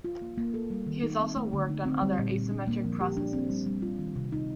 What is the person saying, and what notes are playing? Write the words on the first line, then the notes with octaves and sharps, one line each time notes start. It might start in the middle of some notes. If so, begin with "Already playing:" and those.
He has also worked on other asymmetric processes.
F4
A#3
A#3
A4
G3
D#3
D#4
C4
A3
D3
D#4
C4
G3
A#2
A#2
D4
A#3
F3
G4
D4
C4
G3
G3
F4
D#3
C3
D#4